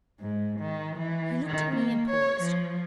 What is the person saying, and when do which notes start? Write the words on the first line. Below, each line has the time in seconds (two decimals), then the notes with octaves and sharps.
He looked at me and paused.
0.21 G#2
0.60 D#3
0.96 E3
1.46 D#3
1.76 A#3
2.10 C#5
2.41 F3